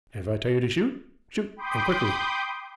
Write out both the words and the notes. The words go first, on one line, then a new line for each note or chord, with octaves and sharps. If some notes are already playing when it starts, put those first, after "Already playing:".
If I tell you to shoot--shoot, and quickly.
G5 B5 C6 D6 D#6 G6